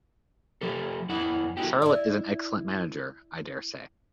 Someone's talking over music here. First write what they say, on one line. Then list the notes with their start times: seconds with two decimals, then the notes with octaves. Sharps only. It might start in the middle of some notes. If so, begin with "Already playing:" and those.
Charlotte is an excellent manager, I dare say.
0.61 F3 G4 A4
1.09 F2 E4 F#5
1.57 A3 B3 D#4 E4 F#4 G4
1.82 E4 D5